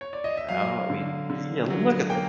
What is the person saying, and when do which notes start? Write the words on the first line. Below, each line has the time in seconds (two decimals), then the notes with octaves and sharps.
You know? We, eh, yeah, look at the
0.01 C#5
0.13 D5
0.24 D#5
0.37 E5
0.49 F#3 F5
0.90 D3
1.30 D3
1.70 F#3
2.09 A#3 G5